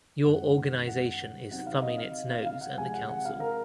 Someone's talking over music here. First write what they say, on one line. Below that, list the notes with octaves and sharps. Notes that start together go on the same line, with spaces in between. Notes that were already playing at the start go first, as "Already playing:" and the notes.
Your organization is thumbing its nose at the council.
F#2 D#3 G#3 F#5
F#5
C3 F#3 C4 D#4 F#5
F5
D#5
F5
F5
F5
F#5
C3 F3 G#3 G#5
F#5
F#5
F5
A#4